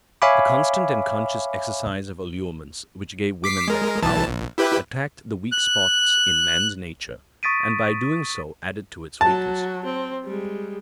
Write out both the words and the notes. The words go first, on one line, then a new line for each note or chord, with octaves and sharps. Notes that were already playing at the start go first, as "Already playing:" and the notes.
The constant and conscious exercise of allurements, which gave women their power, attacked the weak spots in man's nature, and by doing so added to its weakness.
C#5 E5 F5 G#5 B5 D6
D6 B6 C7
G#3 A#4
B1 E3 A5
A#1
E4 G4 B4
F#6
C#6 D#6 A6 B6 D7 D#7
F#3 F#4 A5
C4
G3 G#3